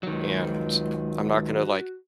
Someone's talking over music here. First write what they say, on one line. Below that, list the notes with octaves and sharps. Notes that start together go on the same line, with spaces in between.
And I'm not gonna, like,
C#2 D#3 F#3
F#4